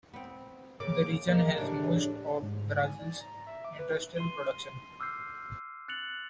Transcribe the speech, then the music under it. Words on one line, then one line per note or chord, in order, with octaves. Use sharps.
The region has most of Brazil's industrial production.
B3 C4
C#3 A#3 D6
G#3 A#3
A2 C#3 D4 G4
G#2
G#5
D5
A#5
E5
D6
B4
C6 C7 D#7 G7
D6 E6 F6 G6 C7
F#6 A6 C#7 F7 F#7